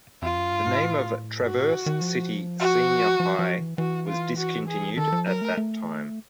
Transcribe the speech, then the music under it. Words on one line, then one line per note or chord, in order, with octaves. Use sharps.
The name of Traverse City Senior High was discontinued at that time.
F2 F4
F#2
G2
G#2
A2
G2 F#4
A2
D#3
F3
F#4
F3
F3
E3
E3 F#4
F4
F#4
G#4
D#3 A4
F3
F#3 A#4
A3
A3